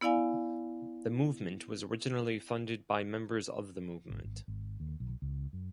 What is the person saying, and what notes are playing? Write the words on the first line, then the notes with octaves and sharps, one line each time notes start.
The movement was originally funded by members of the movement.
B3 E4 D5 F5 G#5
G#1
G#1
G#1
D#2
B1
C#2
F#2